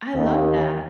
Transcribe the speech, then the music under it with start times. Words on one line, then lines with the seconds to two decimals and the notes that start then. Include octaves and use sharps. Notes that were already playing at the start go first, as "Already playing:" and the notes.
I love that.
0.14 D#2